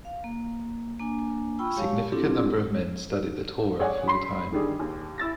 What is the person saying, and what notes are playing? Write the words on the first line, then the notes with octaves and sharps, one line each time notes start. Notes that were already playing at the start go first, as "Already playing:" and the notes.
A significant number of men study the Torah full-time.
F5
A#3
A#3 D4 G#5
F4 G5 B5 C#6 E6
G#3 G4 C#5 F5 A5 C#6
C4 D4 E4 F4 G4 A4
G#4 C#5 D5 F#5 G#5
B5 C6 C7
D3 D#3 G3 G#4
D#2
E4 E6 A6 A#6